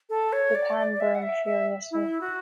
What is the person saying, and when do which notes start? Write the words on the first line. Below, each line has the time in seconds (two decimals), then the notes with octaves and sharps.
Japan burned furiously.
0.10 A4
0.33 C#5
0.55 D5
0.78 D5
0.93 D5
1.00 E5
1.15 F#5
1.23 E5
1.46 E5
1.91 E4
2.21 F#4